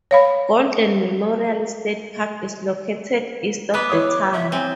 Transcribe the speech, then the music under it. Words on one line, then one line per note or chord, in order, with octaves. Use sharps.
Golden Memorial State Park is located east of the town.
C#5 F5 B5
B3 B4 D6
E4 C#5 D#6
E5
C4 G#5